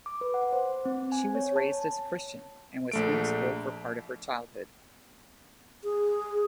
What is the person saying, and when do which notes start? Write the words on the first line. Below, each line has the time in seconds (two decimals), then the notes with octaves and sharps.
She was raised as a Christian and was homeschooled for part of her childhood.
0.06 D6
0.21 B4
0.34 F#5
0.53 C5
0.85 C4
1.12 G#5
1.35 C#5
1.56 A5
2.91 A#1 A3 D7
5.84 G#4